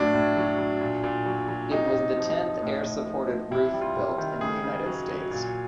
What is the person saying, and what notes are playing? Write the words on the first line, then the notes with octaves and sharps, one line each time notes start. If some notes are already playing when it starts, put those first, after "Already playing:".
It was the tenth air-supported roof built in the United States.
Already playing: A2 F#3 D4
A2
F#3
F#3
A#2
A#2
F#3
F#3
C3 D#4
C3
F3
F3
A2
A2
F3
F3
C3 E4
G3
F4
C3
D#3
C#3 G#4
C#3
F#3
F#3
A#2